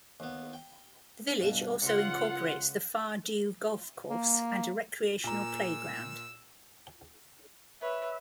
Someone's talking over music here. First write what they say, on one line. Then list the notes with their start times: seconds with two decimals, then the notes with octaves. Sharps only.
The village also incorporates the Fardew golf course and a recreational playground.
0.20 D#2 B3
0.53 G5
1.41 G2 B2
1.82 C#2 F4 F#5
4.10 A#3
5.24 A#2 A#5 E6
7.81 B4 C#5 E5